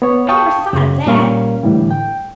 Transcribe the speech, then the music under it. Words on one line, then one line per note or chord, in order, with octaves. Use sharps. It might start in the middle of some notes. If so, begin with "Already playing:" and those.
I never thought of that.
B3 C#5
F5 G5 A5 C#6 D#6
F#2 C#3
A#2 G3 C#4 A#4 F5
A2 D3 E3 G3
G5